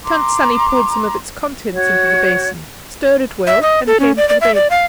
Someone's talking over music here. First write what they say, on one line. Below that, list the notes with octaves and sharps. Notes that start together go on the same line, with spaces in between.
Tant Sannie poured some of its contents into the basin, stirred it well, and came to the bed.
A#5 C6 D6
F#4 C#5
E5
D#5
A4
C#4
D5
D5
E5
D5
F5